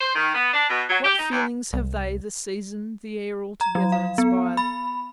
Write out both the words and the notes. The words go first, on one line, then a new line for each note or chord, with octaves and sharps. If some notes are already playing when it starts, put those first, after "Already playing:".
What feelings have they, the season, the air altogether inspired!
C5
D#3
B3
D4
B2
F#3
G4
D#4
D#2
C2
A#5
F#3
F5
B3
B5